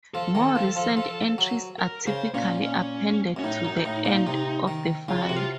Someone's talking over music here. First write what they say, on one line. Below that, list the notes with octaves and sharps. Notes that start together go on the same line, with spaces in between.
More recent entries are typically appended to the end of the file.
F3 A4
D#3
F3
F3
F3
F#3
A#4
C#3 C5
A#2 C#4
C#4
F#2 C#4
A2 D#4
F#2
A2
A#2
C3
D#3
C#3 F4
F#4
C3
F4